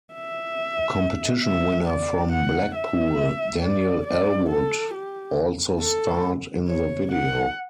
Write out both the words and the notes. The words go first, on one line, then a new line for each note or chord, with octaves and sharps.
A competition winner from Blackpool, Daniel Ellwood, also starred in the video.
E5
E5
D5
F#5
E5
D5
D5
A4
G4
A4
C#5
F#5